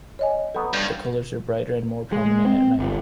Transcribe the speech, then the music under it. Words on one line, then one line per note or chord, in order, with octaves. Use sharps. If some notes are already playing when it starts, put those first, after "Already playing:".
The colors are brighter and more prominent at night.
C#5 D#5 G#5
F#3 B3 A4
G2 G6
G#3
C4
G1